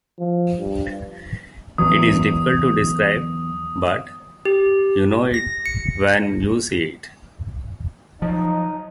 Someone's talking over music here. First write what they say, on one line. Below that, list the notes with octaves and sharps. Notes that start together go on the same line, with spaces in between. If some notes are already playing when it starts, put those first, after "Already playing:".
It is difficult to describe, but you know it when you see it.
F3
G2
E2 F#3 D#6
G4
A#6
C#7
F3 F#3 D#4